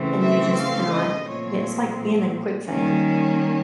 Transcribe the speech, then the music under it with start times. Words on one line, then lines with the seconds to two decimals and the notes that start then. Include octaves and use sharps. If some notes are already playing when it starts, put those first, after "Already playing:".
And you just cannot get it's like being in quicksand.
Already playing: C#3 E3 A3 C4
0.21 E5
0.56 F5
0.91 D#5
1.26 A#2 F3 A3 C4 C#5
2.66 D#3 G3 A#3 C#4